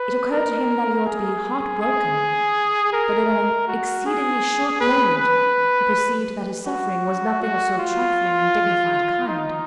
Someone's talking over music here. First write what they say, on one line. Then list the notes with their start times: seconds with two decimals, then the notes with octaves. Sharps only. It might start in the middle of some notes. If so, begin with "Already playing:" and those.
It occurred to him that he ought to be heart-broken; but in an exceedingly short moment he perceived that his suffering was nothing of so trifling and dignified a kind.
Already playing: B4
0.31 A#4
1.06 G#4
1.81 G#4
2.93 A#4
3.68 F#4
4.06 G#4
4.80 B4
5.17 B4
6.66 F#4
7.42 F#4
7.78 F4
9.28 D#4